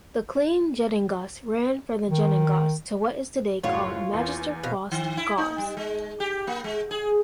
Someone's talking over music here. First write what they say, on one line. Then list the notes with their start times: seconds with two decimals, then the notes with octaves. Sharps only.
The "Kleine Judengasse" ran from the "Judengasse" to what is today called Magister-Faust-Gasse.
2.09 D#3
3.63 F#1 A2 F4 F#4 C#5
4.12 E2 A#3
4.63 B2 C4 F5
4.92 D#3
5.17 E4
5.38 D#4
5.58 G3
5.77 G#3
6.20 G4
6.47 A#3
6.64 G#3
6.91 G#4